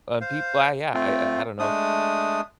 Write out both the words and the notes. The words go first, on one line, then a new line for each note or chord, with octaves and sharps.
and people uh, yeah, I I I don't know.
C5 F5
A3 C4 F4
G#3 A3 D4 D#6